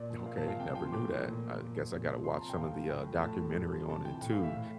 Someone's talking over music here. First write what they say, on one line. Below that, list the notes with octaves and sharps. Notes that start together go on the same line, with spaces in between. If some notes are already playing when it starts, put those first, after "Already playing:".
Okay, never knew that. I guess I gotta watch some of the, uh, documentary on it too.
Already playing: A#2 D5
F3
A#2 F5
A5
F3
F5
C3 G5
A5
F3 G5
C6
A2 D6
E3
A#2
F3
A#2
F3
A#2
F3
C3 C6
A#5
F3 A5
G5
A2 F5
F3
A2 G5
F3
A2 A5
F3
A2
F3
C3 A5
E3 G5
A2 G5
F5
E3 E5
A2